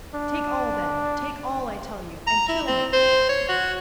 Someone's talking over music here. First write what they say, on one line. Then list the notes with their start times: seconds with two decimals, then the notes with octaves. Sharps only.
"Take all, then--take all, I tell you, and kill me!"
0.14 D4
2.27 A#5
2.48 E4
2.67 C4
2.93 C5
3.29 C#5
3.49 F#4